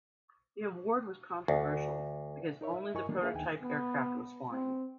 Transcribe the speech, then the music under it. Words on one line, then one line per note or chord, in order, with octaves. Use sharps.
The award was controversial because only the prototype aircraft was flying.
D2
D#4 A#4 C#5 E5
E5
G2 E4 A#4 D#5 G#5 C#6
D#3 E3 F#3 A3 A#3 D4
A#3 D4 G#4 B4 E5 F5
D2 D#3 D#4 G5 G#5
B3
C4